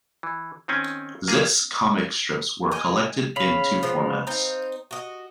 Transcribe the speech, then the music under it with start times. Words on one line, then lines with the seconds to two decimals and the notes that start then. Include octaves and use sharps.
"Zits" comic strips are collected in two formats.
0.23 E3
0.68 D#3 C4 C#4 G#5
1.28 A#3 F4 G#4
2.72 D#5 G5 G#5
3.36 C#3 F5 B5
3.83 F3 G#3 B3
4.27 C4 D#4
4.91 F#4 D#5